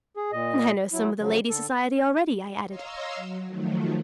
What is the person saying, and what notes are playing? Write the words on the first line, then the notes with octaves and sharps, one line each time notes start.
"And I know some of the lady-society already," I added.
G#4
A#2 D#5
F#3 E4
C#3 F3 F#3
D3 A4
C#5 D#5 F5 A#5 C6 E6
F#3
D#3 F3 F#3 A3